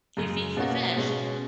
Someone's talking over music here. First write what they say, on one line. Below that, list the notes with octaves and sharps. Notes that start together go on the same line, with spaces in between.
He feeds the fish,
F#2 C#3 G#3
B2 A#3 C#4 F#4
B2 G#3 C#4